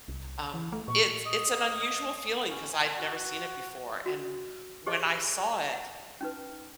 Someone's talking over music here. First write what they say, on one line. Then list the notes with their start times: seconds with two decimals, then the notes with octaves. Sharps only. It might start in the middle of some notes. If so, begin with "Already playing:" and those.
Um, it's it's an unusual feeling 'cause I'd never seen it before. And when I saw it,
0.08 C2
0.54 E3
0.72 A3
0.88 A#2 C#6
1.25 D#5
2.49 C#4
2.73 G#5
2.97 F#4
4.06 F#4
4.86 G4 G#4 C5 C#5 D#5
5.73 F#5
6.21 C#4 D#4 B4